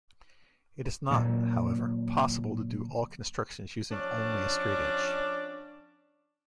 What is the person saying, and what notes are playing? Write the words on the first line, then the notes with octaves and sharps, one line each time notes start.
It is not, however, possible to do all constructions using only a straightedge.
A#2 D3 F#3
F3 C#4 D4 D5